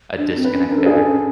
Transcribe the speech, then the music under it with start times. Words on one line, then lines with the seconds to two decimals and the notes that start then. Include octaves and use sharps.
a disconnect there.
0.18 D4
0.36 C4
0.44 B4
0.53 C#4
0.71 D4 A#4
0.78 A4
0.84 C#4
0.86 G#4
0.89 D4 A4
1.06 C#4